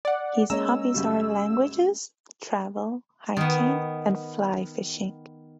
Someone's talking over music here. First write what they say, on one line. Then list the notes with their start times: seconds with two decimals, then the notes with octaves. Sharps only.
His hobbies are languages, travel, hiking and fly fishing.
0.05 D5 F#5
0.50 G#3 A#3 C#4 C#5 D#5 A#5 E6
0.94 F#2 C#3 G3
3.37 D#3 B3